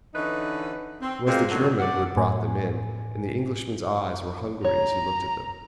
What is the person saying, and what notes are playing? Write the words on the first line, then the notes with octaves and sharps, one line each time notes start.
It was the German who had brought them in, and the Englishman's eyes were hungry as he looked at them.
D3 E3 C#4 D#4 B4
C4
A#2 G#3 A#3 C4
D3 D#3 F#3 A3 C#4
F#2 D3 D5 F#5
A2 G#5
C#5 A#5